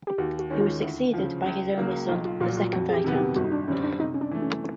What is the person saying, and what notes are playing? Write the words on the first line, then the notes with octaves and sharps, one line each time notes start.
He was succeeded by his only son, the second Viscount.
G4
D#2 F#4
F#4
D#3 G#3 C#4
F4
D2 E4
C#3 F3
C#2
C#3 F#3 A#3
B1 F4
F4
A#2 F#3 F4
F4
F2 F#4
G#4
G4
C3 D#3 F#3 B3
G4
G1 F#4
D#4
D4
F#2 D3 G3 C4 C#4
D4
C3 D#4
C#4
D4
E3 A3
C#4